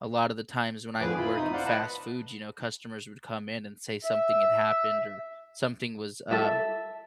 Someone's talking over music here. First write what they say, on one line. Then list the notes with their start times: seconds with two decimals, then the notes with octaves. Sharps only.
a lot of the times when I would work in fast food, you know, customers would come in and say something had happened or something was, um,
1.00 F2 D3 F3 G#4 B4 D6
1.17 E4 F4 B5
1.36 F2 C3 D#4 D#6
1.53 C5 D5 F5 F#5
1.65 B4 D#5 F#5 A5
4.05 E5
6.31 A4 E5